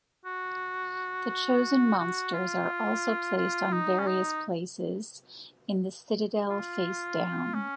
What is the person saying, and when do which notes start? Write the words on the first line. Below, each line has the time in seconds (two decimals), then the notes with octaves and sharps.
The chosen monsters are also placed on various places in the Citadel facedown.
0.25 F#4
1.99 F#4
2.34 F4
3.37 F4
3.73 D#4
3.99 C#4
4.06 D#4
6.50 F4
7.54 C#4